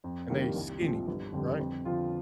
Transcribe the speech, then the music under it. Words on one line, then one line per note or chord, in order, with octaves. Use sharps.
and they skinny, right?
F2
D#3 G3 A#3 D4
C2
A#2 F3 C4
G1
F2 D3 G3
F2
D3 F3 C4 F4